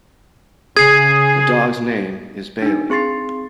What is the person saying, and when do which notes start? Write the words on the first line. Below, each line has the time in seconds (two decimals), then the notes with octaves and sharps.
The dog's name is Bailey.
0.77 C#3 G#4 D#6 G#6 C7 D#7
2.62 D4 D#4
2.90 C4 G#4 C6 A6 C7